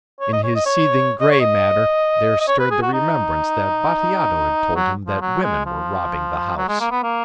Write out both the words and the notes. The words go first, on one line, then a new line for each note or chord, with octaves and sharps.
In his seething gray matter there stirred the remembrance that Bateato had told him that women were robbing the house.
C#5
D#5
C#5
D#5
C#5
D#5
C#5
D#5
D#5
C#5
B4
G#4
F#4
D#4
F#3
F3
F#3
G#3
F3
F#3
G#3
A#3
B3
A#3